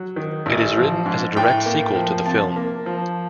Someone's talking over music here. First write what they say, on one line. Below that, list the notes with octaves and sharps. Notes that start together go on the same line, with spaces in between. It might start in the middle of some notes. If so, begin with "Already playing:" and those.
It is written as a direct sequel to the film.
Already playing: F#3
D#3
A1
F3
G#2
A2 G5
A#3
F3
C3 A5
A#3
F3